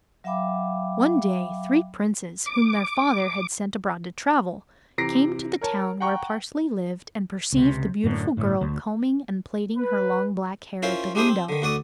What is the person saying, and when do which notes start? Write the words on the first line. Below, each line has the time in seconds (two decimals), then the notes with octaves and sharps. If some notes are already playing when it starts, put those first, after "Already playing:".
One day three Princes, whom their father had sent abroad to travel, came to the town where Parsley lived and perceived the beautiful girl combing and plaiting her long black hair at the window.
0.24 F#3 E5 F5 G5 B5 D6
2.46 D6
4.98 C3 E3 A#5 A#6 C7 D7
5.61 A#4 C#5 A5
6.00 F#5 G5 A#5 C#6
7.53 C#2 C3
8.04 F#2 A2 D3
8.37 G1 A2
8.61 D2
9.77 B4
10.83 C#4 E4 F4 A#4 C5
11.15 G3 G#3 D4 E4 C5 D#6
11.29 C4
11.49 D3 D#3
11.62 D2 F#4 D5 D#6